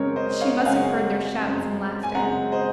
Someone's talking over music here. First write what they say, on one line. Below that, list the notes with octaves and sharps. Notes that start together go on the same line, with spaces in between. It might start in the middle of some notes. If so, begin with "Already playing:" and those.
She must have heard their shouts and laughter.
Already playing: F#2 C#3 G#3 C4 A#4 C#5
C5 D#5
C#5 F5
F#5
F#2 C#3 G#3 C4 F5 G#5
F#2 C#3 G#3 C4
G#5
F#2 C#3 G#3 C4 F#5 A#5
C5 D#5